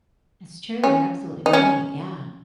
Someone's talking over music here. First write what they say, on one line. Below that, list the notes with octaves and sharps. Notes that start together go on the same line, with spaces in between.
That's true, you're absolutely right, yeah.
C#4
D#4
C#4